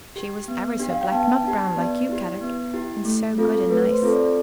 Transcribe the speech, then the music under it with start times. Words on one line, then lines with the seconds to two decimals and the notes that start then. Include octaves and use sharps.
She was ever so black, not brown like you, Kadok, and so good and nice.
0.16 G4
0.48 B3
0.80 D4 G4
0.90 F5
1.01 G5
1.12 B3 A5
1.44 D4 G4 A5
1.77 B3 D5
2.09 E4 G4
2.41 B3
2.74 E4 G4
3.05 A3
3.38 C4 F4 A4
3.70 A3 B4
3.91 C5
4.02 C4 F4 A4
4.13 D5